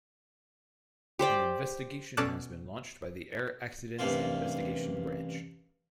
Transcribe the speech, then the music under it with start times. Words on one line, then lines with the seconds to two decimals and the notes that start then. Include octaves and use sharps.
An investigation has been launched by the Air Accidents Investigation Branch.
1.19 G4 C5 D5 G5
2.17 B2 C#4 A4 D5 A5 F#6
3.99 A1 G2 C3 A#3 F4